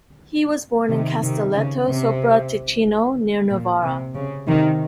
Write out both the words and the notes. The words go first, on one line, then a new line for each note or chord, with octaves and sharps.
He was born in Castelletto sopra Ticino, near Novara.
C3 D#3
C3 D#3
C#3
C3
A#2
C3
C#3
C3 D#3